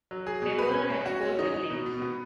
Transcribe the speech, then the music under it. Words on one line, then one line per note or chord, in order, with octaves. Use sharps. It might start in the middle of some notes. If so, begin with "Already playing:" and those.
Deborah has four siblings.
F#3
G#4
B2
B4
B4
C#4
F#4
C#4
D#4
D#4
B2
B2
B3